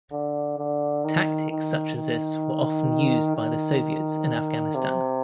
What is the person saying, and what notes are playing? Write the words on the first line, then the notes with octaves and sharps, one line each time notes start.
Tactics such as this were often used by the Soviets in Afghanistan.
D3
D3
D#3
D#3
D#3
D#3
C3